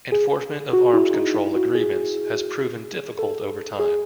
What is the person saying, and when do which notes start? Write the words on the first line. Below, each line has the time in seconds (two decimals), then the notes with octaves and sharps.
Enforcement of arms control agreements has proven difficult over time.
0.12 G#4
0.73 F#4
0.93 E4
1.14 D#4
1.34 E4
1.55 F#4
1.75 G#4
1.96 G#4
3.19 A4
3.79 G#4